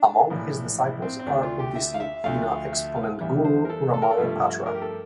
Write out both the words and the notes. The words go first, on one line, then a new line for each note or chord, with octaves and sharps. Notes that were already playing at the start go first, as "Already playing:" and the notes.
Among his disciples are Odissi Veena exponent Guru Ramarao Patra.
Already playing: D4
A#1 A2 E3
E4
C4
C4
D2 D3 A3 D4
F4
G4
E5
F5
E5
D2 D3 F3 A3 F5
E5
F5
E2 E3 G3 E5
C5
A#4
A4
A4
A#4
A4
G2 F3 A3
A#4
G4
A4